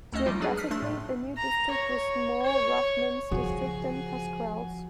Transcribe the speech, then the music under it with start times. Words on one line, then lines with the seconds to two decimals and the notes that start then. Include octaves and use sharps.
Geographically, the new district was more Rothman's district than Pascrell's.
0.13 D2 A3 C#4 D#5 F6
0.26 F3 G3 D#4 F4
0.40 F#3 D4 G#4 B4
0.57 F6 B6 C7
0.71 A3 D4 C6
0.82 A2
1.37 A#5
1.71 C#5
2.42 C#5
3.31 C#3 F3 F4 F#4 G#4